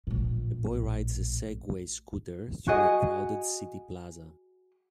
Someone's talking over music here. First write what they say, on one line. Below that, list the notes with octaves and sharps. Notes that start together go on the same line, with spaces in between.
A boy rides a Segway scooter through a crowded city plaza.
A#1 A2
F#4 G#4 D#5